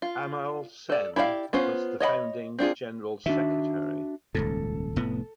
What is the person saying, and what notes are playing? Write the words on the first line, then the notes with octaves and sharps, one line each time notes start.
Amal Sen was the founding general secretary.
F4
A4 D5
E4 G4 D5 F5
B3 C#4 F4 C5
C#5 D#5 F#5 B5
C4 D4 F4 G#4
D#3 D4 F#4 E5
D#1 C#2 G#2 A4
F1 A2 B3